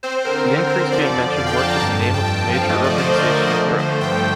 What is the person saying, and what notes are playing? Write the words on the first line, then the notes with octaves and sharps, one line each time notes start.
The increase being mentioned worked as a name of the major urbanization in Europe.
C4 C5
D3 A#4
D3
D3 C5
F3 D5
F2
F2 F5
G5
F2 A5
A#5
G2 A5
A5
G2 A5
G5
G2 G5
G5
F3
F5
A3 D#5
D5
D3
C5
D3 A#4
C5
D3 D5
D#5
F3
A3 C5
G2 G5